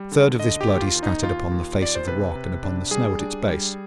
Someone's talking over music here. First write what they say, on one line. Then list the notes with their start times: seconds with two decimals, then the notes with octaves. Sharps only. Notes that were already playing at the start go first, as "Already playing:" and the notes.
A third of this blood he scattered upon the face of the rock and upon the snow at its base.
Already playing: G3
0.12 D3
0.39 D3 D#5
0.61 G4
0.67 D#2
0.81 F4
0.95 D#2
1.03 D#4
1.23 D#2 F4
1.51 D#2
1.80 D#2 D5
1.95 C5
2.07 C3 B4
2.35 C3
2.63 D4
2.91 G3 G#4
3.19 D4
3.48 G3